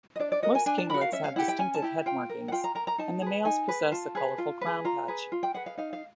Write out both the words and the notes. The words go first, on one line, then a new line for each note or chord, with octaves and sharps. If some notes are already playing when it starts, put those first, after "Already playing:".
Most kinglets have distinctive head markings, and the males possess a colourful crown patch.
D#5
D4 D5
D5
F#4 A#4 D#5
G#5
D4 G#5
A5
F#4 A#4 B5
F5
C#4 E5
F5
E4 G4 F#5
G5
C#4 G#5
A5
E4 G4
F4 G5
A#4
F#5
F4 G5
A#5
A#4 A#5
A#5
D#4 A5
G#4 B4
D#4 G#5
G#4 B4
F4 A5
G#4 B4
F4
G#4 B4
F4 A#5
G#4 B4
F4
G5
G#4 B4 F#5
F5
D#4 F5
F5